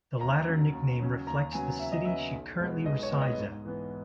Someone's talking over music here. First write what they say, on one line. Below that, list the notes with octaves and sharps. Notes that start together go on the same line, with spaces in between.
The latter nickname reflects the city she currently resides at.
D#2 A#5
C#3 F#3 C#4
D#2
C#3 F#3 C#4
D#2 A#5
C#3 F#3 B3 G#5
D#2 E5
D#5
C#3 F#3 B3 E5
B1
B2 G#3 B3
B1 D#5
C#5
B2 G#3 B3
D#5
G#2
E3 B3